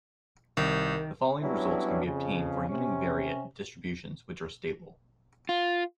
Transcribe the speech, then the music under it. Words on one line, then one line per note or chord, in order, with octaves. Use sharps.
The following results can be obtained for univariate distributions which are stable.
C2 D#3
F#3 G3 B3 C#4 D4 E4
F2 C#3
C3 C#4
F4